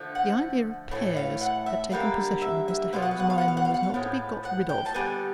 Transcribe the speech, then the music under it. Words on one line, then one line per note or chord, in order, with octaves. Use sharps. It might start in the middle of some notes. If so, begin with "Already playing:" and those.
But the idea of pears had taken possession of Mr. Hale's mind, and was not to be got rid of.
Already playing: D3 F3 A3
F#5
A2 E3 A3
F5
F#5
E5
D3 G3 A#3 F5
E5
E5
B2 G#3 B3 F5
F#5
F5
F#5
F5
F#5
F5
F#5
F5
F#5
F5
A2 F3 G#3 B3
F#5
G5
A5
D3 G3 B3 G#5